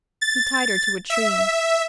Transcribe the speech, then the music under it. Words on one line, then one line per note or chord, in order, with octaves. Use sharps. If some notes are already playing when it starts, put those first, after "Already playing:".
He tied her to a tree.
A6
E5